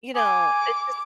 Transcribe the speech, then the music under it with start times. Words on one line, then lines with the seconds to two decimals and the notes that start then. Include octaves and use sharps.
you know? It's just
0.16 G#5 D6